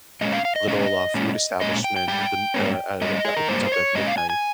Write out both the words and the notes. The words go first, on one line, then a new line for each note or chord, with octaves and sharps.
little, uh, food establishment at the m uh uh, that that opens up at midnight,
A#2 G#3 C#4 D#5
F5
F5
D#5
A#2 G#3 C#4 D#5
A#2 G#3 C#4
A#2 G#3 C#4 D#5
G5
G5
G#2 G3 G5
G#2 G3 A#3 C#4
G#2 G3 C#4 D#5
G#4
A#4
G#2 G3 A#3 C5
C#5
A#2 G#3 C#4 D#5
F5
G#5
G#5